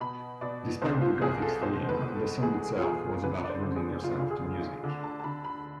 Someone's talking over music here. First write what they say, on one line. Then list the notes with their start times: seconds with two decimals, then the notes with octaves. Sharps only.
Despite the gothic theme, the song itself was about losing yourself to music.
0.01 B2 B5
0.41 B2 D5
0.82 C2 C5
1.01 F4
1.22 C2 G#4
1.42 A4
1.61 B2 C5
1.89 B4
2.02 B2
2.16 A4
2.42 E2 G#4
2.78 F4
2.83 E2 G#4
3.23 D3 B4
3.44 D5
3.50 C5
3.63 D3
3.76 G#4
4.03 D2 F4
4.19 F4
4.31 G#4
4.44 D2
4.84 D3
5.04 A5
5.20 A5
5.24 D3 B5
5.44 B5